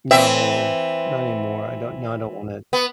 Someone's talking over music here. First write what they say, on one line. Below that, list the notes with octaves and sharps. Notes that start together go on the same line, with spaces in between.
No, not anymore. I don't no, I don't want it.
E3 C4 E5
B3